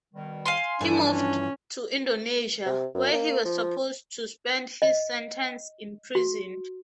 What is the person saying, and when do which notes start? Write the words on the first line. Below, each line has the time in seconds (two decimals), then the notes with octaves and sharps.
He moved to Indonesia, where he was supposed to spend his sentence imprisoned.
0.14 B2 D#3 G3
0.46 F5 G#5 C6
0.81 G2 E3 F3 D4 A4 G#5
1.11 C#4
2.66 C3
2.94 F#2
3.12 A#3
3.45 F3
4.82 D#5
6.15 F#4